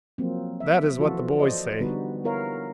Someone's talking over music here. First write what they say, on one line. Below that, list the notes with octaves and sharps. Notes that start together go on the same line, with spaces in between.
That is what the boys say.
F3 F#3 A#3 C4
E5
E3 F3 F4 F#4 A4
A4 C5 D5 D#5
D3 G3 B3 D#4 F#4 B4
B3 E4 A#4 C#5 F5